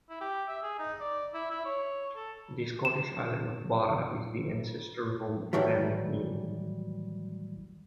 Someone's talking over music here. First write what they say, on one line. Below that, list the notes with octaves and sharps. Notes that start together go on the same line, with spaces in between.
The Scottish island of Barra is the ancestral home of Clan MacNeil.
E4
G4
E5
G#4
D#4
D5
E4
E4
C#5
A4
E7
A2 D#3 E3 F#3 G3